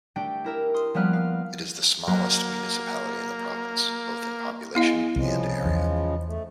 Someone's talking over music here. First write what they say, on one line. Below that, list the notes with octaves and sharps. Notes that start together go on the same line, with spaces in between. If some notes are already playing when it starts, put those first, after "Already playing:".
It is the smallest municipality in the province, both in population and area.
A3 D4 G4 G5
E4 A#4 E5
C6 D#6
F3 G3 A#3 B3 F6 F#6
F5
F#3 A#3
G#3 B3 E4 F5
C2 C#3 F3 G#3
E2
A3